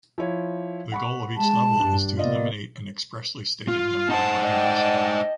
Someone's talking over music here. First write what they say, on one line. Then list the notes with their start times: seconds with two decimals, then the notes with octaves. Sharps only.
The goal of each level is to eliminate an expressly stated number of riders.
0.18 F3 E4 C#5
0.92 F#5 B5 C#6
1.37 G#3 A5
1.80 G2 G3 D4
2.17 C3 A#3 B3 F4 D5 D#5
3.68 F4
4.10 D#4 C5 F#5 A5
4.44 D5 D#5 G5 A5